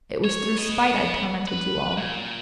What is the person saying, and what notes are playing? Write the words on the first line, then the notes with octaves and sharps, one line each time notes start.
It was through spite I tormented you all.
C#5
B3 D#5
B4
A#2